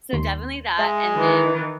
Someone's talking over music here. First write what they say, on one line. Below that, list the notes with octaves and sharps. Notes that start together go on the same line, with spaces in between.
So, definitely that and then
D#2 C6
G#3 E5
D#3 E3